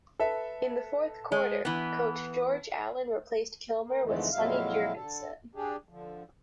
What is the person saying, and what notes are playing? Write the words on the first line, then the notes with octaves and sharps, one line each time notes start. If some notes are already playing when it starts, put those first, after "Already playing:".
In the fourth quarter, coach George Allen replaced Kilmer with Sonny Jurgensen.
A4 B4 E5
G#3
E3 B3
A#3
F2 G#2 D3 E3 G#3 A3
F2 A#2 F#3 G#3 E4 F5
D3 A4
D4 G4 G#4
D3 F3